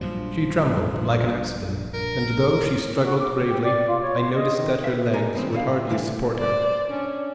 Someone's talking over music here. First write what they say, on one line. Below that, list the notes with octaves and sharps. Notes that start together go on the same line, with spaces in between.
She trembled like an aspen, and though she struggled bravely, I noticed that her legs would hardly support her.
A#1 G2 F3 F#3
A#4
F#4
D6
A2
G4
D5
F4
C#5
C6
D#5
D#3
B4 E5
D#4 G4 A#4 G#5 A#5
G2 B2 D#3 C4
B2 D3 F5
G2 D3 E3 A3
C5 D5
C#4 D4